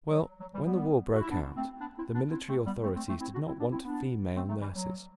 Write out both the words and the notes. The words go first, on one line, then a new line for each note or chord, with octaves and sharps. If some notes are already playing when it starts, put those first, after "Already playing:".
Well, when the war broke out the military authorities did not want female nurses.
F#3
F#3
E3 G3
G3 B3
F#4
E4
B3 D4
A3 C4
B3 D4
C4 E4
B3 D4
C4 E4
A3 C4
G3 B3
A3 C4
A3 C4
A3 C4
C4 E4
D4 F#4
C4 E4
B3 D4
C4 E4
B3 D4
A3 C4
F#3 A3
E3 G3
F#3